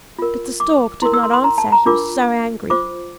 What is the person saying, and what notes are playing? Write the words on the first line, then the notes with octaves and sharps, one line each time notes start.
But the Stork did not answer, he was so angry.
F4 A#4
D6
E4 A#4 C6
E6
C6
C6
A#5
A5
A#5
D4 F4 A#4 D6
F4 C5 D6